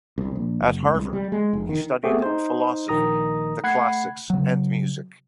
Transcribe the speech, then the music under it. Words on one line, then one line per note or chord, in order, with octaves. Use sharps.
At Harvard, he studied philosophy, the classics, and music.
C2
A#1
F#1
C#2
C2
G3
G#3
F1
D#3
A3 B3 C4 G4 G#4
D#4 C5
A#1 D#3 A#5 D#6 A#6
A3 F#5 B5 F#6 G#6 C7
C#3 F#3